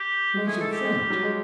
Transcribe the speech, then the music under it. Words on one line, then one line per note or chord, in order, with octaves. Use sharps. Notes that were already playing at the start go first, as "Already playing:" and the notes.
"Who is your friend?"
Already playing: G4
G#3
A3 G#4
A4
G4
G#3
G3
F#3
G#3